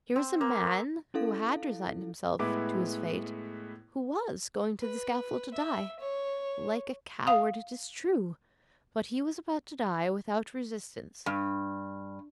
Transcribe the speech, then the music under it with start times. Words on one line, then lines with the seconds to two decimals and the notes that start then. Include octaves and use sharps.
Here is a man who had resigned himself to his fate, who was going to the scaffold to die--like a coward, it is true, but he was about to die without resistance.
0.16 C4
0.41 A#3
1.14 C#4 E4 A4 F5
2.39 A2 G#3 B3 E4 B4 D6
4.81 B4
5.53 E5
5.99 C#5
7.27 F5 D#6
11.26 G2